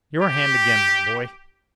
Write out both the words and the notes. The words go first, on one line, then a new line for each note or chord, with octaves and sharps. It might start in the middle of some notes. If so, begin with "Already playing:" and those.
Your hand, again my boy!
G4